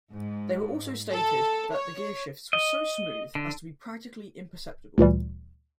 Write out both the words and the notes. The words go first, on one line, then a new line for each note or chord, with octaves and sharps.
They also stated that the gearshifts were so smooth as to be practically imperceptible.
G#2
A4
C#5
D#5
D3
D2 A#2 E3 G3